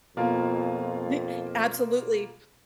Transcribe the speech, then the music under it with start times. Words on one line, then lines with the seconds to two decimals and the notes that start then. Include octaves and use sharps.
The absolutely.
0.17 F2 B2 A#3 F4